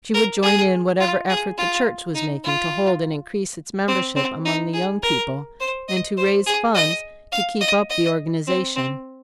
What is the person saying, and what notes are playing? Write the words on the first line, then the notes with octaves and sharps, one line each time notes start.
She would join in whatever effort the church was making to hold and increase its membership among the young people, and to raise funds to keep up the organization.
A#4
G#4
F4
G#4
F4
D#4
F4
C4
C4
D#4
G#4
A#4
C5
D#5
C5
G#4
D#5
F5
D#5
D#5
C4
C4